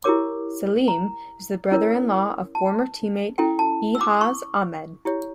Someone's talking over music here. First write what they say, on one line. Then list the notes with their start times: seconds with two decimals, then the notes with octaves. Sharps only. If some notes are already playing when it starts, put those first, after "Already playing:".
Saleem is the brother-in-law of former teammate Ijaz Ahmed.
0.04 E4 G4 A#4 C#5 D6
0.88 A#5
1.71 C#4 E4 A#4 C#5
2.55 A5
3.38 C#4 E4 A4 G5
3.59 A5
3.95 E6
4.01 D6
4.21 C#6
5.05 E4 G4 C#5